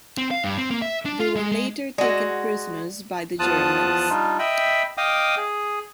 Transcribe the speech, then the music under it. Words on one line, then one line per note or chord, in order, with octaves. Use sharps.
They were later taken prisoners by the Germans.
C4
F5
G2
C4
A#3
E5
D4
F4
G#3
G#3
G#3 F#4 D5 E6
E2 F3 F4 A5 D#6 F#6
G3 D4 D#4 F4
D#5 E5 G5 B5
D#5 F5 G5 D6 D#6
G#4